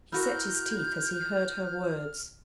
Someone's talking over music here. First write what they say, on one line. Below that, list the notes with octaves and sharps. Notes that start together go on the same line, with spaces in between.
He set his teeth as he heard her words.
E4 F#4 A#4 F6 G6